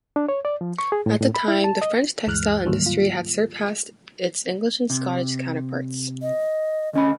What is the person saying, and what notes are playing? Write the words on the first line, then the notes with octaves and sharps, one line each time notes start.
At the time, the French textile industry had surpassed its English and Scottish counterparts.
D4
C#5
D5
F3
C#6
G#4
A2
A2
B5
E4
A5
D#5
D2 G2 E3 G#3 F6 F#6
G#2 D3 D#3 F#3 G3 A#3
F4
C3
D#5
D2 C#4 D#5 B5